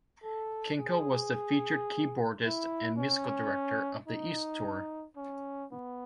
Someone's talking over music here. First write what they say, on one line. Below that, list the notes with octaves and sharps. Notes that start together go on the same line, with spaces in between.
Kinkel was the featured keyboardist and musical director of the East tour.
A4
G#4
E4
C#4
D#4
C#4
B3